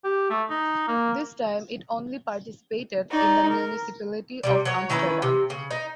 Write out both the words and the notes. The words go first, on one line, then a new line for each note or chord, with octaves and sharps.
This time it only participated in the municipality of Amsterdam.
G4
A3
D#4
A#3
D#4 D5
A#4
C3 D#3 G3
F#3 C#5
D#3 E3 C#4 B4
C3
C#3
D#4